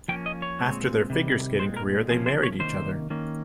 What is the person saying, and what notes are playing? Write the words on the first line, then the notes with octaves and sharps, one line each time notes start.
After their figure skating career they married each other.
F3 A#3 C#4 G5
D#5
C#5
A#2 G#3 C4
C3 D#3 G3
A#2 G#3 C4 C5
A#4
C3 F3 A#3 C#4 G#4
C5
C#5
C3 D#3 A#3 C#4 C5
D#3 A#3 C#4